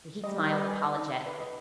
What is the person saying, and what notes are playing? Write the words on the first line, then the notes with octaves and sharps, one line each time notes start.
But he smiled apologetically.
G3 D#5
D#4
B4
G#5
D#5
D#4
B5
B4
D#5